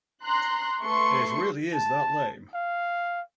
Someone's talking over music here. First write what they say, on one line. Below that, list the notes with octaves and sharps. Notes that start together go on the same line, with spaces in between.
It really is that lame.
A#5 C6 F#6
A3 B4 C6 C#6 C#7
A5
F5